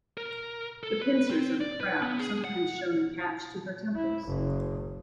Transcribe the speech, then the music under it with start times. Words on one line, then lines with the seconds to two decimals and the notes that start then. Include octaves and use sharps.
The pincers of a crab are sometimes shown attached to her temples.
0.17 A#4
0.83 A4
1.02 B4
1.30 C4
1.61 D5
1.81 B4
2.02 B3
2.19 G#4
2.44 F#5
3.96 E4
4.28 F#1